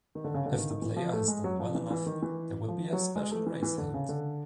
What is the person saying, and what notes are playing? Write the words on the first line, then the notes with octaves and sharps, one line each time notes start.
If the player has done well enough, there will be a special race held.
D#3
D3
C#3
D3
D#3
D#3
E3
F3
A3
G#3
F#3
F3
E3
E3
D#3
E3
F3
F#3
G#3
A3
E3
E3
D3
C#3
D3